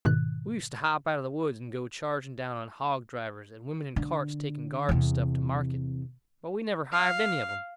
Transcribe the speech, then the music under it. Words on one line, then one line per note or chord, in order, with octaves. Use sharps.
We used to hop out of the woods and go charging down on hog-drivers and women in carts taking garden stuff to market, but we never hived any of them.
G#2 B2 D#3 F#6
D3
E2 C3
F5